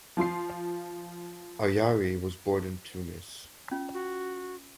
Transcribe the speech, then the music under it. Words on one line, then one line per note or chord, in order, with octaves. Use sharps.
Ayari was born in Tunis.
F3 F4 C6 C7
C#4 F4
F#4